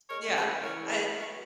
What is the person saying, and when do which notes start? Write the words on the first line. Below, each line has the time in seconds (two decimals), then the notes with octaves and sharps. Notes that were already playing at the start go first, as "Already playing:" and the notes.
Yeah. I'd
0.09 G#3 A#4 C#5
0.27 C#3
0.36 G#4 B4
0.45 C#3
0.63 E3 A#4 C#5
0.82 C#3
0.91 G#4 B4
1.01 B3
1.18 F#3 A#4 C#5